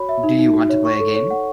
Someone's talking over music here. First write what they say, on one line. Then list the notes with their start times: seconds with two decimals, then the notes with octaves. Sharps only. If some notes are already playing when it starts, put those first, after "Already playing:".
Do you want to play a game.
Already playing: F#4 C#5 B5
0.09 E5
0.23 D#4
0.39 D#4
0.54 F#4
0.69 C#5
0.85 C#6
1.00 A4
1.15 C#5
1.30 F#5